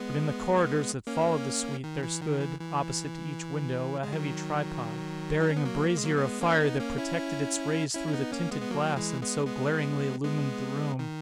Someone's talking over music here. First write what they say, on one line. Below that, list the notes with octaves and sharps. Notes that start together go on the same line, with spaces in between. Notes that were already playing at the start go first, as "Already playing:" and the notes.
But in the corridors that followed the suite, there stood, opposite to each window, a heavy tripod, bearing a brazier of fire that projected its rays through the tinted glass and so glaringly illumined the room.
Already playing: G#3 B3
A#3 C#4
D#3
E3
D#3
E3
E3
G#3
D#3 F#3
D#4
C#4
B3
F#3 A#3
A#3
G#3
F#3 A#3
G#3 B3
A#3 C#4
B3 D#4
A#3 C#4
C#4 E4
C#4 E4
C#4
B3 D#4
A#3 C#4
G#3 B3
B3
F#3 A#3
E3 G#3
G#3 B3
G#3 B3
G#3 B3
D#3